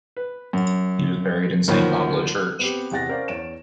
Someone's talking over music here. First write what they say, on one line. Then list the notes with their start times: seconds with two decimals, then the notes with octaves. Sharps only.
He was buried in San Pablo Church.
0.17 B4
0.53 F#2
1.68 D2 D#3 F3 A#3 C#5 B5
2.59 B3 C4 G4
2.91 E2 C3 G#4 F#5 A6 A#6
3.09 C#4 A#4 C5 D5 F5
3.28 E2 C#5 D7 E7